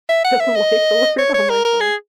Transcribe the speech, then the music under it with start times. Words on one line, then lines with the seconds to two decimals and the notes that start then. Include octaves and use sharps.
Life alert on my phone.
0.09 E5
0.24 F#5
0.40 E5
0.56 D#5
1.18 C#5
1.34 C#5
1.50 A#4
1.65 A#4
1.80 G#4